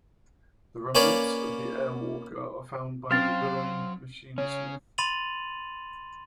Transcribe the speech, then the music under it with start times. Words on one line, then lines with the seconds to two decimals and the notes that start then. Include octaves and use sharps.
The remnants of the Air-Walker are found by the villain Machinesmith.
0.95 A#3 C#4 B4 C#5 D5 F5
3.11 F#3 C4 C#4 C5 F5 G5 F6 A6
4.38 C#3 C#4 C#5
4.98 B5 C6 A6 D#7 F7 F#7